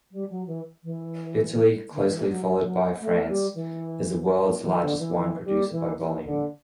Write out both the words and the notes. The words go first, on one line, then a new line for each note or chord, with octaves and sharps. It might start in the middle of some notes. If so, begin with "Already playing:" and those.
Italy, closely followed by France, is the world's largest wine producer by volume.
G3
F#3
E3
E3
D3
E3
F#3
F#3
F#3
A3
G3
E3
E3
D3
E3
E3
G3
E3
E3
D3